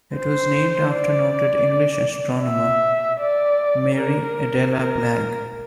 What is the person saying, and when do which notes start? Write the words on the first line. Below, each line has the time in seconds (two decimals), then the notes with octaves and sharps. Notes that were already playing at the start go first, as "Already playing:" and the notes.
It was named after noted English astronomer Mary Adela Blagg.
0.17 C5
0.93 D5
2.44 E5
3.21 D5
3.96 A#4
4.72 A#4